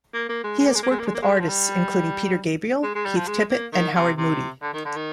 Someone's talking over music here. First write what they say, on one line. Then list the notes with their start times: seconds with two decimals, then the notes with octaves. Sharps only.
He has worked with artists including Peter Gabriel, Keith Tippett and Howard Moody.
0.14 A#3
0.29 A#3
0.44 G#3
0.59 G#3
0.67 A#3
0.75 G#3
0.83 A#3
0.91 G#3
0.99 A#3
1.06 G#3
1.14 A#3
1.22 G#3
1.40 F3
1.48 G3
2.83 G#3
2.95 G#3
3.05 G3
3.16 F3
3.28 G#3
3.50 A#3
3.73 D#3
3.95 C3
4.18 C3
4.62 D3
4.73 D#3
4.85 D3
4.96 D#3